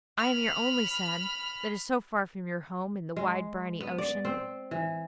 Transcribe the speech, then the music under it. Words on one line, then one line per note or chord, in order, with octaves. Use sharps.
I am your only son, that is so far from your home, in the wide briny ocean.
B5 F6
G#3
B3
D5
C4
E3